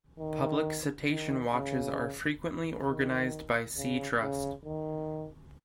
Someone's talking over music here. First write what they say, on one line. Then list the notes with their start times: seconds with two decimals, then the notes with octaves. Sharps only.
Public cetacean watches are frequently organized by Sea Trust.
0.20 D#3
1.09 D#3
1.53 C#3
2.87 D#3
3.77 C#3
4.21 C#3
4.65 D#3